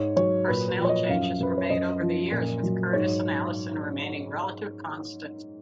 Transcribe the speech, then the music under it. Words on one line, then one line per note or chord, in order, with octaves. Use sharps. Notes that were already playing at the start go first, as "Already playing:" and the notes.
Personnel changes were made over the years, with Curtis and Allison remaining relative constants.
Already playing: G#2 C#5
F#3 C#5
A#2 B4
B4
F3
C#5
D#5
F#2 F5
F#2 B4
C#5
F#2 D#5
F3
A#2
F#3
G#2 C#5